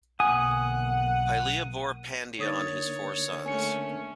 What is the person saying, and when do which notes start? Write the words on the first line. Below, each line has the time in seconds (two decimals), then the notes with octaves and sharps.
Pylia bore Pandion his four sons.
0.20 B1 D3 A#3 F#5 G#5 D#6
2.39 D3 A#3 D#4 C#5 D#6 A6
3.46 A3 C#4 G#5 C#7